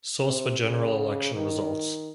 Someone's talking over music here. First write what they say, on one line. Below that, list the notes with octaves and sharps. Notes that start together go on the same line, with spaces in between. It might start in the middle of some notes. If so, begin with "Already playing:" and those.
Source for General election results.
C3
C#3
D#3